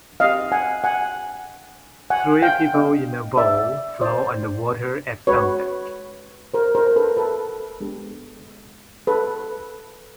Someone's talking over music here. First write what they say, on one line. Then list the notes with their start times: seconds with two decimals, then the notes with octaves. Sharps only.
Three people in a boat float on the water at sunset.
0.20 C4 D#4 G4 D#5 F5
0.52 F#5 G#5
0.84 F#5 G#5
2.10 F#5 G#5
2.42 F5 G5
2.74 B3 D4 G4 D#5 F5
3.37 D5 E5
4.01 C5 D5
5.27 G#3 C#4 F#4 B4 C#5
6.54 A#4 C5
6.75 A#4 C5
6.87 A#4
6.96 A4 B4
7.17 A4 B4
7.80 G#3 B3 D4 G4
9.07 A4 B4